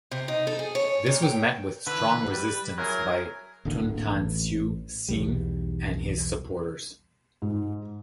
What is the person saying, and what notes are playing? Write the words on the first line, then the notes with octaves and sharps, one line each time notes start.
This was met with strong resistance by Tun Tan Siew Sin and his supporters.
C3
D#4
A4
G#4
C#5
A#2
G5
D3 E3 B4
G3 B4
F#3 E4 G#4 A#4
D1 G#1 D3 A#3
A1
B1 E2 G3
G#2